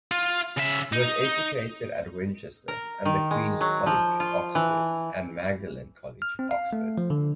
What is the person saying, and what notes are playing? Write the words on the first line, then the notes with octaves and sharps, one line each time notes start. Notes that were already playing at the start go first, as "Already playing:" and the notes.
He was educated at Winchester and at Queen's College, Oxford, and Magdalen College, Oxford.
F4
C#3 E5
D#4
A#4
D#3
G#3
F#3
F3
F4
E3
F6
C4
F5
A3
F3
D3